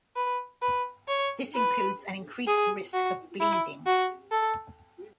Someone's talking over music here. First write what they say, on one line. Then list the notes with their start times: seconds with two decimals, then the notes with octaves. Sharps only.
This includes an increased risk of bleeding.
0.16 B4
0.62 B4
1.08 C#5
1.55 B4
2.47 G#4
2.93 F#4
3.40 E4
3.86 F#4
4.32 A4